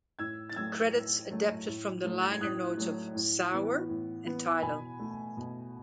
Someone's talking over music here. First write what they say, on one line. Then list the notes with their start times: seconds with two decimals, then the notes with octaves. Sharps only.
Credits adapted from the liner notes of "Sour" and Tidal.
0.19 A2 E6 G#6
0.49 A6
0.56 F#3 A3 E6 G#6
0.93 A2
1.30 F#3 A3
1.67 A2
2.04 F#3 A3
2.21 A6
2.30 G#6
2.41 A2 D#6 F#6
2.78 F#3 A3
3.15 A2
3.51 E3 B3
3.89 A2
4.25 E3 B3
4.62 B2 G#5 B5
4.99 A3
5.37 B2